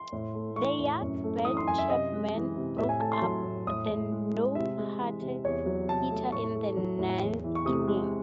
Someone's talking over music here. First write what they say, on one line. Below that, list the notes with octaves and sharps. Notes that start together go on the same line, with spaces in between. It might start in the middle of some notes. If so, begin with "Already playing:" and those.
The Yanks' Ben Chapman broke up the no-hitter in the ninth inning.
Already playing: C6
A2
A3
E3 C#6
A2
F#2
A3
E3 D#6
C6
F#2 G#5
E5
C3 D#5
G#3
E3
C3
A2 E5
G#5
A3 A5
C6
F#3
A2
A2 D#6
A2
G#3
G#3
C3 E5
G#3
E3
C3
E2 C#5
F#3
C3 A5
A3
A2 C#6
A3
F#3
A2
E2
E3
C#6
C3 D#6
G#3